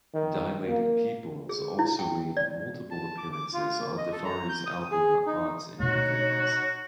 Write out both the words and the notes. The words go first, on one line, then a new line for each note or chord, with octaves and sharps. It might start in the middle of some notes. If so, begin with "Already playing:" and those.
Dilated Peoples also made multiple appearances on Defari's album "Odds and Evens".
D#3
A#3
G#4
E4
G5
D5
A5
D6
D6
F4
A#3
D#5
A4
A#5
G6
D#6
G#4
D#4
B2 A3 D#4 F#4 C#5